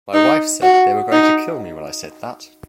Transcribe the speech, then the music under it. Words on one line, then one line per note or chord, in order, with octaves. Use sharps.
My wife said they were going to kill me when I said that.
D#4
F#4
D#4